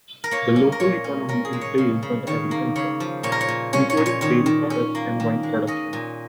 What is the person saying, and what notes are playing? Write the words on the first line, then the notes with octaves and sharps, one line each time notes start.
The local economy is based on agriculture, including dairy products and wine production.
A#4
A#3 C#5
C#4
A#4
A#2 C#5
C#4
C#4 A#4
G#4
G#3
C#5
C#3
C#3
D#3 C#5
A#3
C#3 C#5
F3
A#2 C#5
A#4
C#5
A#2
C#4 C#5
C#5
A#2
C#5
D#3 C#5
D#3
C#4
A#3
D#3
G#3
C#4 D#5
A#2